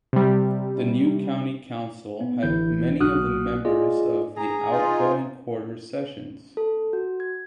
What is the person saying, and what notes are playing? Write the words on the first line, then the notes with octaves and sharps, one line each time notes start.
The new county council had many of the members of the outgoing quarter sessions.
C3 G3
B3
A1 D3 E3 E4 G6
B1 F#4 D#6 F6 F#6
F4 G#4 D5 D#5
G#4 A#5
D#4 F4
A4
F#4
G#6